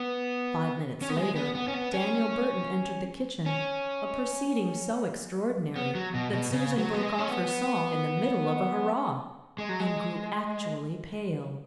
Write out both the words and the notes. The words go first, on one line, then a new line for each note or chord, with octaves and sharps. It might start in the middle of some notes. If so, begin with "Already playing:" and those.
Five minutes later Daniel Burton entered the kitchen--a proceeding so extraordinary that Susan broke off her song in the middle of a "Hurrah" and grew actually pale.
Already playing: B3
C#4
B3
G#3
B3
B3
C#4
B3
C#4
C#4
B3
F#3
B2
B2
C#3
F#3
B3
G#3
C#4
B3
G#3
F#3
G#3